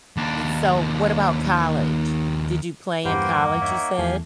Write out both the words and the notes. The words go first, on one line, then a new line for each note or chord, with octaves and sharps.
Eh, so what about college? Did you play in college, you said?
D#2 D4
E2 G2 A#3 B4 C5 F#5 G5
D#4 C#5 E5
E2 A3 G4 F5 G#5